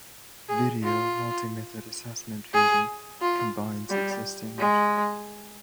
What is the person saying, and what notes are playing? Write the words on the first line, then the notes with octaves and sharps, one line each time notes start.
Video Multimethod Assessment Fusion combines existing metrics.
G#4
F4
G#4
F4
G3
G#3